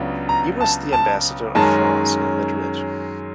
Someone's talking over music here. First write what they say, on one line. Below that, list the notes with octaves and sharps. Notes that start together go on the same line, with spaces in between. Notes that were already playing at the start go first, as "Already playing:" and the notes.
He was the Ambassador of France in Madrid.
Already playing: C#2 C#3 F#3 B3 D4
A#5
A5
A5
F#2 D#3 G#3 C#4 A5